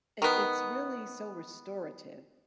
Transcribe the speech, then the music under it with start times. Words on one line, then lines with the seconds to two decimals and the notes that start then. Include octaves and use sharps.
it it's really so restorative,
0.22 D#3 B3